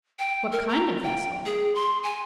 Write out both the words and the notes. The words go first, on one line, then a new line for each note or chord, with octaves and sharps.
What kind of vessel?
G5
A#4
A#5
G5
G#4
C6
G#5